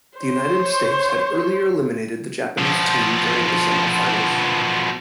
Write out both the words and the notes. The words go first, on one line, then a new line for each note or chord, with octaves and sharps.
The United States had earlier eliminated the Japanese team during the semi-finals.
C5 C#5
B2 F3